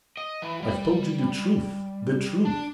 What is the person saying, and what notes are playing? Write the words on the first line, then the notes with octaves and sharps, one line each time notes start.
I've told you the truth, the truth.
D#5
E3
G3
D4